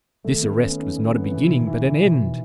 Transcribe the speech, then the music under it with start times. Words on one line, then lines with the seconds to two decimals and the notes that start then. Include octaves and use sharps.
This arrest was not a beginning, but an end.
0.24 D#3 A3
0.42 B3
0.61 C#4
0.79 D#4
0.97 C#4
1.14 B3
1.31 C#3 E3
1.45 B2 D#3
1.58 G#2
1.67 A2 E3
1.85 B2
1.92 A2
2.02 B2